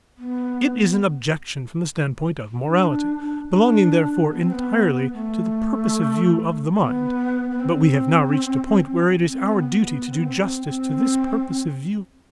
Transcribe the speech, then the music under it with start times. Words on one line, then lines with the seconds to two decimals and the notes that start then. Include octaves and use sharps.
It is an objection from the standpoint of morality, belonging therefore entirely to the purposive view of the mind, but we have now reached a point where it is our duty to do justice to this purposive view too.
0.18 B3
2.66 D4
3.49 D4
4.30 B3
4.41 C4
4.51 B3
5.13 A3
6.78 B3
7.50 B3
7.60 C4
9.26 C4
9.53 B3
9.81 B3
10.09 C4
10.17 B3
10.25 C4
10.36 C4
10.64 C4